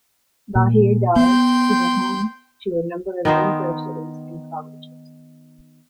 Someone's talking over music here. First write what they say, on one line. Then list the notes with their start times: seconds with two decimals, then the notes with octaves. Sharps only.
Bahir Dar is home to a number of universities and colleges.
0.55 A#2
1.16 B3 G5 C6 G6
3.25 D#3 B3 D#4 C5